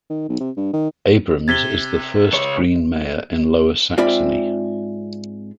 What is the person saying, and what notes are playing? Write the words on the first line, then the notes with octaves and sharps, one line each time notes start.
Abrahms is the first Green mayor in Lower Saxony.
D#3
B1
C3
G2
D#3
C3 G#6 A6 B6 G7
C#2 C#5
G#2 C4 F4 D5 E5 B5